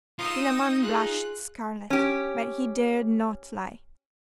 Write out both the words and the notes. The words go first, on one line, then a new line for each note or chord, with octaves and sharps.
Philammon blushed scarlet, but he dared not lie.
D#4 F4 D#6 E6
G5
F4 G#4 F#6
C#4 G4